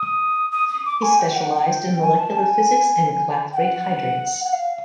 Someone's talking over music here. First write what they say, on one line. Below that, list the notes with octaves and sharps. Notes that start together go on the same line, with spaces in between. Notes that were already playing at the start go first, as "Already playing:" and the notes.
He specialized in molecular physics and clathrate hydrates.
Already playing: D#6
D#6
D#6
D6
G#5
G5
F#5
G5
G#5
A5
G#5
G5
F#5
F#5
F5